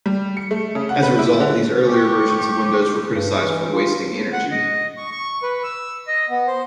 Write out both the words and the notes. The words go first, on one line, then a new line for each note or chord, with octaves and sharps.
As a result, these earlier versions of Windows were criticized for wasting energy.
G3
C#7
A3
C#3
F#5
B4
E4
D3
G4 C#6
G2
E3
F4
F#5
D#5
C#6
C#6
B4
E6
D#5
B3
C5